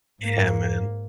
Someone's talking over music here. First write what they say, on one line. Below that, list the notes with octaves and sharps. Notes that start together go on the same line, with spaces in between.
Yeah, man.
G#2 A#3